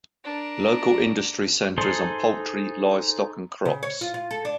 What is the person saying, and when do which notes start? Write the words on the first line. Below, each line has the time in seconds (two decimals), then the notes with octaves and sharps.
Local industry centers on poultry, livestock and crops.
0.24 D4 A#4
1.78 D#4 G#4 A4 C5 C6
3.65 C#3
3.83 C#5
4.01 F4
4.14 F4
4.31 A4
4.45 D4